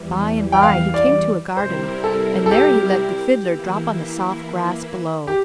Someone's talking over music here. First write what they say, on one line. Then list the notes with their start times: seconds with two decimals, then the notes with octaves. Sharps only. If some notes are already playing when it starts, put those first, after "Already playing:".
By-and-by he came to a garden, and there he let the Fiddler drop on the soft grass below.
Already playing: E2 E3 G3
0.52 G5
0.63 F5
0.94 D5
1.57 C3 G3 C4 E4 A#4 C5
2.04 A4
2.46 A4
2.51 G4
3.45 E3 A#3 E4
5.27 G4